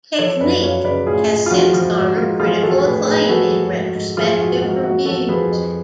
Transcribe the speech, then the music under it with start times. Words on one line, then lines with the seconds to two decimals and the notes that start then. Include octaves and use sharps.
"Technique" has since garnered critical acclaim in retrospective reviews.
0.18 F3 A4 C#5
0.40 F#2 B4 D5
0.62 F#2 C#5 F5
0.84 C#3 B4 D5
1.07 A2 F4 G#4
1.30 A2
1.46 F4
1.51 F3 F#4
1.73 F3 F4
1.96 G#2 F#4
2.18 G#2 F4
2.40 F3 F4 G#4
2.62 F3 F#4 A4
2.84 A2 G#4 B4
3.07 A2 G#4 B4
3.24 B4
3.29 F3 F#4 A4
3.51 F3
3.73 G#2
3.95 G#2
4.17 F3 F4 G#4
4.40 F3 F#4
4.61 G#2 F#4
4.84 G#2 F#4
5.06 F3 F#4 A4
5.29 F3 G#4 B4
5.51 F2